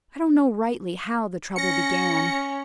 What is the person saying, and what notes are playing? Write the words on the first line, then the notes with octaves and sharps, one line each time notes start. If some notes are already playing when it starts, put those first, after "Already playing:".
I don't know rightly how the trouble began.
C#4 A#6 C#7